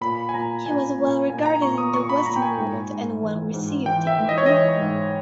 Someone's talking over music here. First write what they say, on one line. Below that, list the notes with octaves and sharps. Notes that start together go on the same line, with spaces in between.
He was well regarded in the Western world and well received in Hong Kong.
A#2 B5
G#5
A#2 A#5
A#2 G#5
A#2
A#2 G#5
A#5
A#2 C#6
D#6
A#2 C#6
B5
A#2 A#5
G5
G#5
G#2
G#2
E3
G#2
E3 G5
E5
E3
D#5
C#5
E3 D#5
G#2